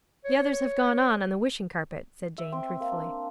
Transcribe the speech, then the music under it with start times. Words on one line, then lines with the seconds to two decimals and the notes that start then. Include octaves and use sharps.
'The others have gone on, on the wishing carpet,' said Jane truthfully.
0.25 C#5
2.38 E5
2.52 C4
2.80 A#3
2.92 D4